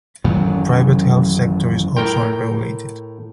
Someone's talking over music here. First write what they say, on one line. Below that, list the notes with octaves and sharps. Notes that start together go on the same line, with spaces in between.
The private health sector is also unregulated.
A1 F#2 D#3 F#3
A2 A#4 G5